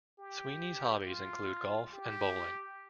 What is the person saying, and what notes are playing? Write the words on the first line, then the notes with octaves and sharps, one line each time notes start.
Sweeney's hobbies include golf and bowling.
G4
F4
G4